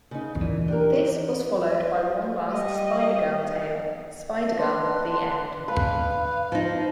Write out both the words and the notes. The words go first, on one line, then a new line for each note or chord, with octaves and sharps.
This was followed by one last Spider girl tale, "Spider-Girl: The End".
C#3 D#4
A#2 E3
D4 G4 A#4
G3 D#5
D4 B4 C6
G#3 B4 F5
F3 D#4 C5